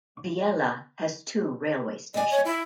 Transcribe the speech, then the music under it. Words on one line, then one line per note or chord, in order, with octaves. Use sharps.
Biella has two railway stations.
D5 D#5 G#5
C#5
E4